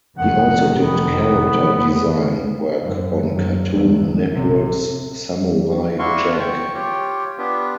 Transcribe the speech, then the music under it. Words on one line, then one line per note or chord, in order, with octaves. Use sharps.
He also did character design work on Cartoon Network's "Samurai Jack".
F1 F2 D#3 F#5
B3
F#2
F#2
G1 E2
A#1 C3
D4 E4 F#4 F5 C6 C#6
G5 C#6
F4 G4 C#5 G5
B3 D4 F4 G4 B4